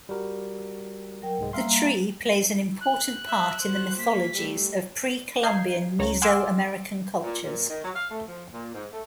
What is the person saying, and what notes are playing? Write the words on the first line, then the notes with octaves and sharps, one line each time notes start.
The tree plays an important part in the mythologies of pre-Columbian Mesoamerican cultures.
G3 F#4 A#4
F#3 A#4 G5
C2 G#2 G#3
G3 A#3 E5 F5 A#5 C6
F#6
E5
F#4 C5
A#3 B6
G3 A3
D#5 F5 A#5 G6 G#6 C7
C#2 C#5 A#5
F#5 G#5 C6 D6 E6 F6
A#2
A#2
D#3
F#3
F5
A3
F3
A#2
G#2
A3